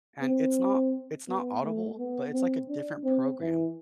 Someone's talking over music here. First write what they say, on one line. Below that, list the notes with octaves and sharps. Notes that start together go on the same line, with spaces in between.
And it's not it's not Audible, but it's, like, a different program,
C4
B3
A3
B3
C4
D4
C4
E3